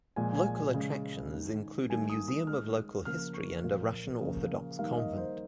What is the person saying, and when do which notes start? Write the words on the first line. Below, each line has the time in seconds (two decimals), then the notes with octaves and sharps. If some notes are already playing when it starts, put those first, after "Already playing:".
Local attractions include a museum of local history and a Russian Orthodox convent.
0.16 A#2 F3 G#3 G#5
0.36 G#5
0.55 G#5
0.74 C#3 G#3
1.32 D#3 G#3
1.89 D#3 G3 A#3 G#5
2.10 D#6
2.28 D#6
2.47 D#3 G#3 F6
3.05 C#3 F3 A#3 F6
3.34 C#6
3.63 A#2 F3 A#3
4.21 C#3 F3 A#3
4.79 D#3 G3 A#3 F5
4.98 D#5
5.18 C5